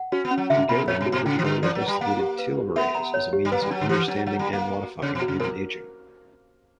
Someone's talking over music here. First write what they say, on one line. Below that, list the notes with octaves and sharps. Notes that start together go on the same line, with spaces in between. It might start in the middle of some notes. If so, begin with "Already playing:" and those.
Geron originally investigated telomerase as a means of understanding and modifying human aging.
Already playing: F#5
C#4 F#4
B3
C#4
F#3
C#3 E5
B2 B5
A#2 C#5
B2
F#4
B2
C#3 G5
E3
D3 B4
E3 D5
F#3
B4
G3
A#3 F#5
G4
B4
G4
B3 E5
A#5
C#5
G4
G3
A#3 B4
G3
F#3 D4
D3
E3 G4
F#3 D4
F#3 F#5
G3
C#6
A#3
B4
F#4
C#3 C#5
B2
F#4
C#3
B2 A#4